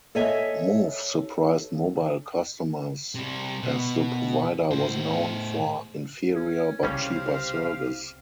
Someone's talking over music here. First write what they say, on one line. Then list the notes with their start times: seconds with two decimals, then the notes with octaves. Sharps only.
Move surprised mobile customers as the provider was known for inferior but cheaper service.
0.15 A4 C#5 D#5 E5 G#5
3.15 C3 G3
3.63 B2
4.71 A2 C5
6.35 C#4
6.83 C2 C#3 G3 C4 C#4 G4 F5